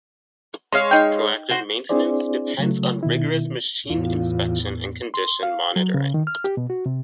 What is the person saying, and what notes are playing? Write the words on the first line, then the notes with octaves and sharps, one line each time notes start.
Proactive maintenance depends on rigorous machine inspection and condition monitoring.
G#3 C#5 F5 C6
D#4 G5
F#4 C5
C4 D4 E4 G#4 C5 D5
C#3 F#3 A3
B2 D#3 E4
E2 A2 E3 F4
C6
F5
F#3
C#3
D#3
F6
G4
B2
F#4
C3